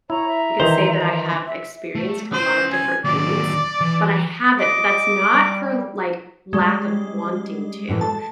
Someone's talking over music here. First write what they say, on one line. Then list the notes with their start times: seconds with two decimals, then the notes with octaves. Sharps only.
I could say that I have experienced a lot of different foods, but I haven't, but that's not for, like, lack of wanting to,
0.10 E4 C#5 A#5
0.28 E5
0.60 D#3 E3 D#4 C5
1.46 E5
1.95 A3
2.33 C#4 C5 C6
2.72 G#5
3.04 D#2 F#3 D5
3.81 E3
4.59 D#5 D6
5.34 G3
6.53 G3 G#3 C#4 C#5
7.88 F#2 A2 E3
8.01 A4 A5